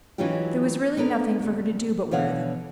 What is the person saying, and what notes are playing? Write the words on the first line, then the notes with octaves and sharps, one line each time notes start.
There was really nothing for her to do but wear them.
E3 F#3 C#4 D#4 F4 G4
B3 D4 A4 A#4
D2 C3
B2 D3 C#5 F5 F#5